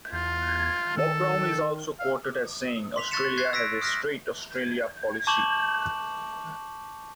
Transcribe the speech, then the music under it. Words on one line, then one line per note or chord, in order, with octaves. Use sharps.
Bob Brown is also quoted as saying Australia has a "straight Australia policy".
E2 F4
D#3 A4
F5
C6 B6 F7
C#6 F#6 A6 B6 C#7 E7
F#6 G#6 A6 C7
E6 A#6 B6 D7
D#6 F6 F#6 A#6 B6
A5 C#6 D6 G6 E7 F#7